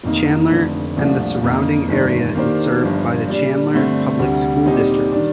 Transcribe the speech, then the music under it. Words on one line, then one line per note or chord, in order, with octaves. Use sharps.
Chandler and the surrounding area is served by the Chandler Public School District.
F1 F2 D#3 A#3 D#4
F1 F2 D3 A3
C2 A#2 F3 A3 D4
F2 D#3 A#3 D#4
G1 G2 D#3 A3 D4
D#3 A#3 D4 G4 C5
G1 G2 F3
A#2 G3 D4
G2 D3 A3 C4
D2 C3 G3
A#2 G3 C4 D#4 G4
D#3 G3 D4